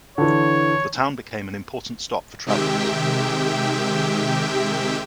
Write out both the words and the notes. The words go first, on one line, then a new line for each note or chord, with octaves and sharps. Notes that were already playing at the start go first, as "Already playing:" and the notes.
The town became an important stop for travellers.
D3 E3 C#5
C3 D#3 G#3 G4 E5 G5